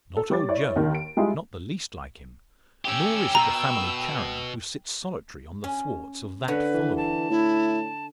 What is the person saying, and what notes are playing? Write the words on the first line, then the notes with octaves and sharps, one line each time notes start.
Not old Joe, not the least like him. Nor is it the family Charon who sits solitary on the thwarts of that following.
A4
G3 C#5 D6 A6
E4 C#5 D5
D#2 D#3
D7
G3 G#3 E4 F4 G#4
C#4 G4 G5 E6
B2 A#5
C#4
D3 B4 C#5
E3
A5
A2 E4